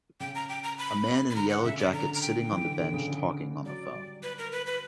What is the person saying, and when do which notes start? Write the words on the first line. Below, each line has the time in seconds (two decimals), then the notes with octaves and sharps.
A man in a yellow jacket sitting on the bench talking on the phone.
0.20 C#3 G5
0.35 A#5
0.49 G5
0.64 A#5
0.78 B5
1.30 B5
1.35 D3 A#5
1.50 F#5
1.64 C#3 E5
1.79 D5
1.93 D3 A#5
2.14 A#5
2.22 G5
2.51 E3
2.64 D3
2.79 D3
2.94 C#3
3.08 D3
3.66 F#3 D5
3.94 G3
4.23 B4
4.38 A#4
4.52 B4
4.66 B4